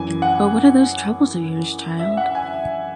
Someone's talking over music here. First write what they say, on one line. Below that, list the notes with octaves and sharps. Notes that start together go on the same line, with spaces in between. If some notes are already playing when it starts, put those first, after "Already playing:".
But what are these troubles of yours, child?
Already playing: F#2 E3 G#5
F#5
E5
F#5
G#5